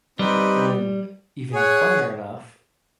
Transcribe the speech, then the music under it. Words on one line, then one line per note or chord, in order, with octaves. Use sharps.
Yeah, and then even funnier enough,
G3 C4 D#4 G4 B4
G#4 C#5 F#5